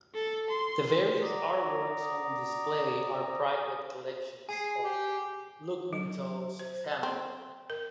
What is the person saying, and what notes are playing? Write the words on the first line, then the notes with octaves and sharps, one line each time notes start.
The various artworks on display are private collections of Lukminto’s family.
A4
C6
D5 F#5 A#5 D6 D#6
G#4 G#5 C7
G4
F#3
C5
C4
A#4